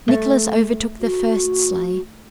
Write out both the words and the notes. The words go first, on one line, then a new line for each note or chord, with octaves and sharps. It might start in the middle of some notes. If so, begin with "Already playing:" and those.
Nicholas overtook the first sleigh.
A3
F#4